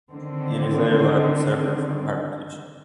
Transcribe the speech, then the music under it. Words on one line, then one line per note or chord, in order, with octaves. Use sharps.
In his later life he suffered from hypertension.
D3 D#3 C4